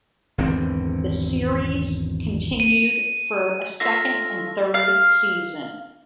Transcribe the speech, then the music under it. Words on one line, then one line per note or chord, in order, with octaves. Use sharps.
The series continued for a second and third season.
G#1 E2 D3 C4
D#7
A3 F4 E5 A#6
F5